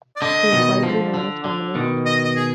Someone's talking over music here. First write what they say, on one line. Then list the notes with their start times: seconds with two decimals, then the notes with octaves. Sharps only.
She is widely known as a feminist.
0.16 D5
0.22 D3 D#5
0.52 B2 D#3
0.83 D3 F3
1.14 D3
1.45 D3
1.75 B2 D#3
2.06 D#5
2.25 D#5
2.36 G#4